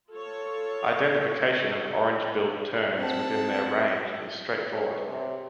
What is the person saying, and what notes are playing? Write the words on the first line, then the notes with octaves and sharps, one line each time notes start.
Identification of orange-billed terns within their range is straightforward.
F4 A4 C#5
C4 F#5 A5
C#5
C3